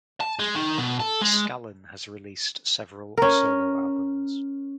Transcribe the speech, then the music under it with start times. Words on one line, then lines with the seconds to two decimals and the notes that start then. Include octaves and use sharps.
Scallon has released several solo albums.
0.21 A5
0.39 G#3
0.55 D#3
0.78 B2
1.00 A4
1.22 G#3
3.18 C#4 A#4